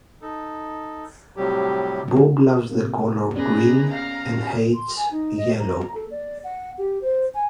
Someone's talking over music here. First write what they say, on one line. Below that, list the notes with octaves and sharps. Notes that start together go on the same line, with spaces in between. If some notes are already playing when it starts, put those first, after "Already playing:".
Bob loves the color green and hates yellow.
D#4 A4
A2 C3 F#3 G3 G4
C3 F3 A#3
B3 C#4 G#4 B4 D5 A#5
F5 A#5
C6
G#5
D#4
D#5
A#5
A4
D5
F#5
G4
C5
G#5